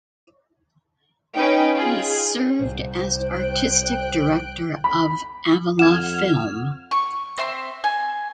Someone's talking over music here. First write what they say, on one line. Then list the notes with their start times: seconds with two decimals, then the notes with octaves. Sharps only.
He served as artistic director of Avala Film.
1.34 C#4 D#4 B4 D#5 G5 G#5
1.75 F4 G#4 G5
2.59 C2 C5
3.20 G5 F#6 D7
4.84 B5
5.79 F2 F#5 F6 G#6 E7
6.91 C#6
7.38 C4 E5 C6
7.84 G#5